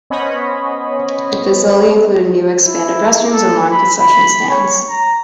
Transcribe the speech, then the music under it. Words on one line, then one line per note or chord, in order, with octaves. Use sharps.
The facility included new expanded restrooms and larger concession stands.
B3 C#4 C5 C#5 D#5 B5
E4
A4
B5
B5
C#5
A#5